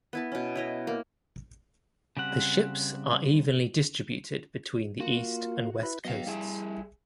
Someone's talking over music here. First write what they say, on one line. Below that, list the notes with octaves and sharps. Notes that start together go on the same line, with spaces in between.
The ships are evenly distributed between the east and west coasts.
B3 E4 A5
B2 C#4
E4 C#5 D#5
A#3
C#3 G3 C4 F#5
A#3 F4 F#4
E4 B4
F#3 B3 D#5 F5
G3 E4 G#4 E5